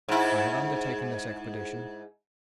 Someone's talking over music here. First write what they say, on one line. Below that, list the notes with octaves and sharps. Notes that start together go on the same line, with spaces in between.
I have undertaken this expedition.
G#2 E4